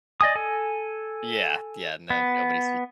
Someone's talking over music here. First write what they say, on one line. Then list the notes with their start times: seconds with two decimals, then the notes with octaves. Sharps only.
Yeah, yeah, no, nobody speaks
0.21 D5 D#5 G#5 D#6
0.35 A4 G#5
2.10 B3